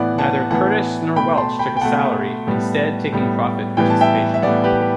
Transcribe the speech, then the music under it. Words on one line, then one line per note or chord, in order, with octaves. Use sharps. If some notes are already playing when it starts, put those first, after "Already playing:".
Neither Curtis nor Welch took a salary, instead taking profit participation.
Already playing: A2 E3 B3 D5 F#5
F#5 A5
A2 E3 B3 F#5 A5
B2 A3 G5 B5
A5 C6
G5 B5
G5
B2 A3 F#5 A5
A2 G3 B3
A2 G3 B3
A2 E3 G3 B3 G5
A5
E5 G5
E5
A2 E3 G3 B3 D5 F#5
G4 B4
G4